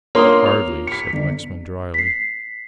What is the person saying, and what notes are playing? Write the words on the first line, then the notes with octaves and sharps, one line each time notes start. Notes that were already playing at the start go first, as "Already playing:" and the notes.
"Hardly," said Lexman, drily.
A#3 B3 D4 F4 C#5 C6 D#6
F7
F4
B6 C#7
G1
B6 C7